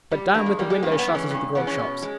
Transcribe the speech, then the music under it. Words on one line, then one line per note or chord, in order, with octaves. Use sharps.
But down with the window-shutters of the grog shops.
G3
G2 A#3
G#3
G3 A#3
G#3
G2 A#3
C#4
B3
E3 G#3
C#4
G2 C#4
E3 G#3 B3
C#4
B2
G#3